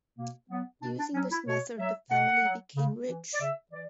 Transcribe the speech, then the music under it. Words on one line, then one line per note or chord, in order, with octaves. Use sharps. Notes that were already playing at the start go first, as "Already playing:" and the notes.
Using this method the family became rich.
B2 A#3
F#3 B3
B2 D4
D4
F#3 C#4
E4
B2 C#5
F#3 E5
B2 F#5
F#3
C#3
E3
D5
C#3 E5
E3 D5